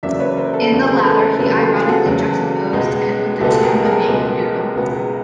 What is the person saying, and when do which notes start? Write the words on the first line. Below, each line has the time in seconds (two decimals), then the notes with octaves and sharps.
In the latter he ironically juxtaposed it with the tune of "Yankee Doodle".
0.03 E2 C#3 F#3 A#3 D5 E5
0.20 B4 C#5
0.37 A#4 C5
0.53 A4 B4
0.71 E2 C#3 F#3 A#3
0.87 G#4 A#4
1.04 A4 B4
1.21 A#4 C5
1.38 E2 C#3 F#3 A#3 A4 B4
1.54 G4 A4
1.71 F4 G4
1.82 A4
1.89 F#4 G#4
2.05 E2 C#3 F#3 A#3
2.73 C#2 B2 G#3 B3
3.40 C#2 B2 G#3 B3 G4 A4
3.63 G#4 A#4
3.85 G#4 A#4
4.08 C#2 B2 G#3 B3
4.75 C#2 B2 G#3 B3